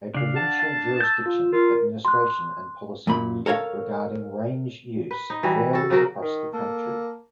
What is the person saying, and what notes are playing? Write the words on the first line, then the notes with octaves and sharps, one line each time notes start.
A provincial jurisdiction, administration and policy regarding range use varies across the country.
C#3 D4 F5
F#5 A5
A6
E6 G6
F4
F4 A#4
C6 F#6
F#2 A#2 B5
A4 A#4 C#5 F5
B4
D#4
E3 G3 F#4
F#4 A4
C#3 F#3 F#4 A#4
D#3
A#3 A4